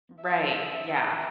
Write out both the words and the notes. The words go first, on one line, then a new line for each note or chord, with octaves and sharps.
Right, yeah.
E5